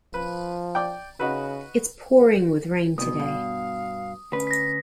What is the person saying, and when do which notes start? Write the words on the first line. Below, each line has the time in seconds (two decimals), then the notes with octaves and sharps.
It's pouring with rain today.
0.14 F3 B4
0.75 D5 G5
1.20 C#3 D#4 F#4 B4
2.98 C2 B2 D#6
3.19 G2 B2 F5
4.32 D2 C#4 B4
4.47 A#6 B6